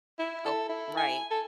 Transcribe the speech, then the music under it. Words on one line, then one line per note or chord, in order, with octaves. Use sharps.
Oh, right.
E4
A4
E4
G#5
A4